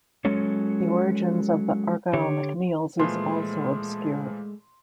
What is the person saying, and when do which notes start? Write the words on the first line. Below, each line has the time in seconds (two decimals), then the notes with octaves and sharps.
The origins of the Argyll MacNeills is also obscure.
0.25 F#3 G#3 C#4 A4 C#5
2.13 D3 G4 C#5
2.99 A#2 E3 F3 G#3 A3 C6